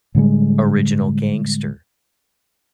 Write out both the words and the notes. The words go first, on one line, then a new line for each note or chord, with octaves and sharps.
Original Gangster.
A2 D3 G3 G#3